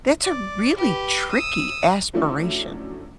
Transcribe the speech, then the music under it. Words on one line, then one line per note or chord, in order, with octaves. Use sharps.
That's a really tricky aspiration.
D5
G4 B4
D#6 E6
F3 F#3 A3 C#4 D4 E4